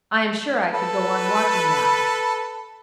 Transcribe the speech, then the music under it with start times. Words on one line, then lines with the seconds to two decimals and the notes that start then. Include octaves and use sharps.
I am sure I could go on walking now.
0.73 A4 B4